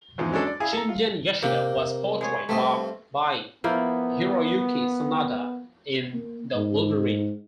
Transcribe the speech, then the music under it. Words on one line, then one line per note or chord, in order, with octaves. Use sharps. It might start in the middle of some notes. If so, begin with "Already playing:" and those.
Shingen Yashida was portrayed by Hiroyuki Sanada in "The Wolverine".
E2 G#2 F3
F#3 G#3 C#4 D4 A4
D5
E4 G#4 F5 G#5
A4 A#5
F4
C3 A#3 G5
G#3 G#4 C#5
G2 A3 C4 D#5
F3 A#3 B3 E4
A#3
G#2